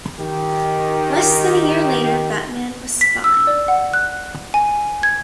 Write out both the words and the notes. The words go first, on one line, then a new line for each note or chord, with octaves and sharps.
Less than a year later, Batman was fine.
D#3 G4
B6
E6
D5
F#5
F#6
G#5
G#6